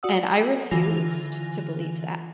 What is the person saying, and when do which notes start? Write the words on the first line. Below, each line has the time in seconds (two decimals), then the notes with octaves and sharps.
and I refused to believe that.
0.03 F#4 D5 F#5 D#6 E6
0.71 D3 E3 F4 G#5 A#6 F7